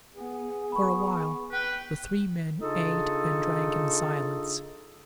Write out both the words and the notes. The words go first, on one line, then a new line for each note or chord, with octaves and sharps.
For a while the three men ate and drank in silence.
B3 G#4
B3 B5 C#6
B4 G5
C#3 D4 D#4 F4 A4